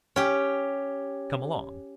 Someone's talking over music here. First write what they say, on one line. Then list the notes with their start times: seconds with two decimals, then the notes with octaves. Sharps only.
"Come along."
0.16 C#4 G4